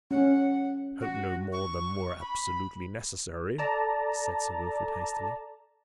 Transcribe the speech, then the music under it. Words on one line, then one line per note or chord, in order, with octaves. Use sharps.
"I hope no more than were absolutely necessary!" said Sir Wilfrid, hastily.
C#4 F#5
F#4
C#6
B5
A4 D5 A5 A#5